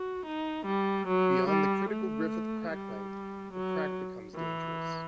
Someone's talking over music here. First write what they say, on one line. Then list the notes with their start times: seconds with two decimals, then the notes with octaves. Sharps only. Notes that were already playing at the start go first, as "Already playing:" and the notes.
Beyond the critical Griffith crack length, the crack becomes dangerous.
Already playing: F#4
0.26 D#4
0.66 G3
1.08 F#3
1.49 G3
1.90 A3
2.71 G3
3.53 F#3
4.35 E3